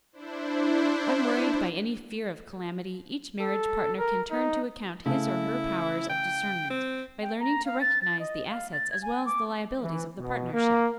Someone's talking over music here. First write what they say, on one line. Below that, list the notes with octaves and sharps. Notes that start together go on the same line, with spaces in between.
Unworried by any fear of calamity, each marriage partner can turn to account his or her powers of discernment by learning to recognize the assets as well as the liabilities of the partnership.
D4 E4 C5
A4
A#4
D#4
C#3 A3 E4
G5
C4
G5
A#5
F5
A6
A6
D#5
F5
A6
G#6
G#5
D6
E3
B2
A#3